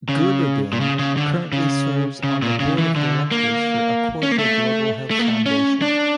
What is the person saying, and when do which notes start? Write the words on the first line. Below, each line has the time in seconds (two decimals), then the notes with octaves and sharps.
Gerberding currently serves on the Board of Directors for Accordia Global Health Foundation.
0.09 C#3
0.73 A#2
0.80 C#3
0.99 C#3
1.17 D3
1.53 C#3
2.24 C#3
2.42 A#2
2.60 C#3
2.78 E3
2.96 D3
3.31 A#3
4.23 C#4
4.32 A#3
4.38 A3
5.11 A3
5.19 A#3
5.29 A3
5.46 C#4
5.82 D4